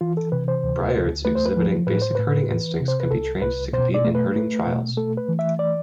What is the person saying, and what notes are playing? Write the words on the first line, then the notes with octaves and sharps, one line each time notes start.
Briards exhibiting basic herding instincts can be trained to compete in herding trials.
E3 F4
A4
C3 B4
C5
D2
D2
A3 B4
C5
B4
F3
A2 B4
C5
A2 B4
E3
C3
C5
B4
C2 A4
C2 B4
B2 C5
D5
A3
B4
A3
B2
A3 A4
B4
E3
E5
D5